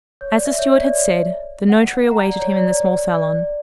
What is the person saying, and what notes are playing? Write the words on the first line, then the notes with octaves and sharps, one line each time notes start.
As the steward had said, the notary awaited him in the small salon.
C#5
D5
E5
C#5
D5
D5
F#5
F#5
F#5
A#5
D5
C#5
D5
D5
D5
D5